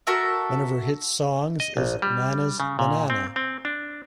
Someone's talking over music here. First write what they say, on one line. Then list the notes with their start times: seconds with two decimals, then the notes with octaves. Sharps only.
One of her hit songs is Nanas Banana.
0.07 F#4 A4 A#4 E5
1.60 D#5
1.77 A#1
2.02 G3
2.60 C#3
2.79 A#2
3.10 C4
3.36 C4
3.65 D4